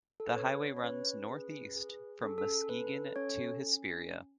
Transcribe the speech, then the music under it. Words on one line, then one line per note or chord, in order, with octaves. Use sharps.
The highway runs northeast from Muskegon to Hesperia.
A4
B4
C#4 C#5
C#5
C#4 B4
G#4
G#4
C#4 A4
A4
A4 B4
C#4 C#5